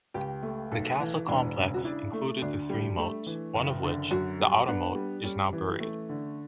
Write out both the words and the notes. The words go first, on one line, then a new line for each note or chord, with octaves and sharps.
The castle complex included three moats, one of which-the outer moat-is now buried.
C#2 G4
A3
B1 A4
E3
E1 D4
C#3
F#4
D4 E4
A3
D2 D4
G3
A3
E3
F#1
D3
F#2 F#4
G3
B3 D4
G3
G3 C#4
E3
A3
D3